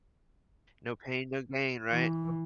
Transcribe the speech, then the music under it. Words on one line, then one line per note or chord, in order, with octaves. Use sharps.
No pain, no gain, right?
E3